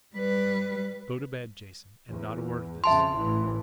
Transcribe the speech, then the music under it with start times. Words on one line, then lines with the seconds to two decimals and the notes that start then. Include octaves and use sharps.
"Go to bed, Jason--and not a word of this."
0.15 G3 B4
2.09 E2
2.84 F2 C#3 E5 A5 C6
3.14 A1 E3